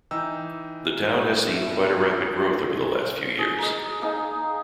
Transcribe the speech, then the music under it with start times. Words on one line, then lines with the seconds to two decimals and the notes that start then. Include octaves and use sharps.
The town has seen quite a rapid growth over the last few years.
0.11 E3 D#4 G5 E6
1.47 G2 B2 A3 A4
3.39 G#4
3.58 A#4 D#5
4.02 D#4 G#4 F5 A#5